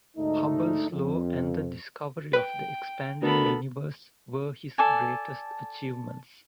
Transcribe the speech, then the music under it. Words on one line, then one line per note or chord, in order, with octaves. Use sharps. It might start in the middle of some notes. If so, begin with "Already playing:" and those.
Hubble's law and the discovery of the expanding Universe were his greatest achievements.
D2 G#2 A3 D4 D#4
F2
B4 G5
D2 B3 A4 A#4 B5
A4 D5 G#5